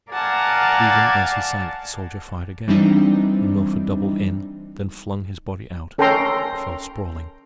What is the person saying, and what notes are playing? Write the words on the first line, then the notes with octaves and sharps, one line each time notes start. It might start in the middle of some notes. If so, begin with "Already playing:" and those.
Even as he sank the soldier fired again, and Milford doubled in, then flung his body out, and fell sprawling.
A#4 D5 F5 F#5 G#5 A5
E3 G3 C4 D4 D#4
C#4 A4 A#4 G5 A#5 C6